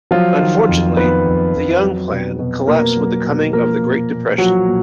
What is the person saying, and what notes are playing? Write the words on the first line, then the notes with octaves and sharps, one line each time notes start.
Unfortunately, the Young Plan collapsed with the coming of the Great Depression.
F3 F#3 F4
D#3
F2
D#3 B3 B4
F2
F2
F#3
B2
B2
B2 A#3 A#4
F#3
B2
F3 A#3 A#4
A#2
A#2
F3 F#3 F#4
A#2